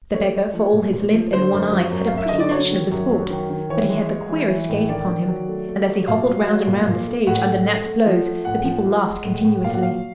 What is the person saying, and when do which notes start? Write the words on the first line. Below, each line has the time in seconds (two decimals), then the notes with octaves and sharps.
The beggar, for all his limp and one eye, had a pretty notion of the sport, but he had the queerest gait upon him; and as he hobbled round and round the stage under Nat's blows the people laughed continuously.
0.14 A3 C#5
0.34 A3
0.53 F3
0.73 A#2
0.93 A#2
1.13 F3
1.32 D3 C5
1.53 F#2
1.72 F#3
1.92 F#2
2.06 F5
2.12 F#2
2.17 E5
2.29 D3 D#5
2.40 D5
2.51 F#3 C#5
2.71 D#3
2.91 F#2
3.11 F#3
3.30 D#3
3.50 D#3
3.70 E3 C#5
3.90 G#3
4.09 G#3
4.29 E3
4.49 E3
4.69 A2
4.89 D#3 D5
5.09 D#3
5.28 F#3
5.49 A3
5.68 A3
5.88 F#3
6.08 A#2 F5
6.27 F#3
6.47 F#3
6.67 A#2
6.87 A#2
7.07 A3
7.27 A2 F#5
7.46 A3
7.66 A3
7.86 A3
8.06 F3
8.26 A3
8.45 A2 F#5
8.65 F3
8.85 G#3
9.05 G#3
9.24 A2
9.44 A2
9.64 A#2 F5
9.74 F#5
9.82 F#3 F5